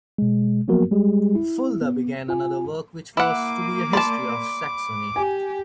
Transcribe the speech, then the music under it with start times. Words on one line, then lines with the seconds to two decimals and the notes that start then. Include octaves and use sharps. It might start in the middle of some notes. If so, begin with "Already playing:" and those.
Fulda began another work which was to be a history of Saxony.
0.18 B2 G#3
0.68 F3 F#3 A#3 B3 F#4 A#4
0.91 G3 G#3 G4 G#4
1.35 E4
1.81 B3
2.29 F4 G#5
3.17 A#3 E4 F#5 D6
3.93 D5 A5 B5 C6
5.16 G4 G#5